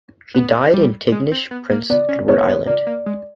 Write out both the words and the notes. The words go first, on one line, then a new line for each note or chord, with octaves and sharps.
He died in Tignish, Prince Edward Island.
B3
G3
G#3
C4
B3
A#3
B3 D5
C#4
B3 C#5
B3
A#3 D5
A#3
G#3